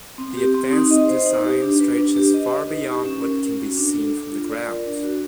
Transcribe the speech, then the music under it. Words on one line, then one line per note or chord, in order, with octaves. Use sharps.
The advanced design stretches far beyond what can be seen from the ground.
C4
G4
C4
D#4
D#5
C5
D#4
G4
D4
B4
D4
G4
D#5
B4
D#4
G4
C#4
A#4
C#4
F#4
D4
A4
D4
F4
D5
A#4
D4
F#4